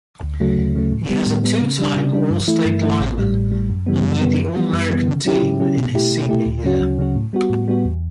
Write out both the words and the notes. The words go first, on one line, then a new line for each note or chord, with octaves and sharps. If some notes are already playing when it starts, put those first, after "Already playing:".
He was a two-time all-state lineman, and made the All-America team his senior year.
D2
C#3 F#3 A3
D2
C#3 F#3 A3
A2
G3 B3
A2
G3 B3
C#3
G3 D4
C#3
G3 D4
G2
E3 A3 E4
G2
E3 A3 E4
A1
A2 G3
A1
A2 G3
F#2
C#3 E3 G3 B3
F#2
C#3 E3 G3 B3
F#2
E3 G3 B3
F#2
E3 G3 B3
C#3
F#3 C#4 E4 G4
C#3
F#3 C#4 E4 G4
B2
A3 E4 G4
B2
A3 E4 G4
D2
C#3 F#3 C#4 F#4
D2
C#3 F#3 C#4 F#4
A2
G3 B3 F#4
A2
G3 B3 F#4
E2